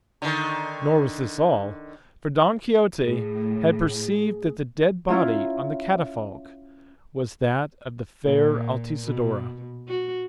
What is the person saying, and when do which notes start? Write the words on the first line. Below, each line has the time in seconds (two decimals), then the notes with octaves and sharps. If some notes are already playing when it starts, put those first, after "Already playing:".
Nor was this all, for Don Quixote had perceived that the dead body on the catafalque was that of the fair Altisidora.
0.22 D3 D#3
3.05 A2 G#4
5.09 C#4 E4 F4 A#5
8.26 A#2
9.04 B2
9.88 F#4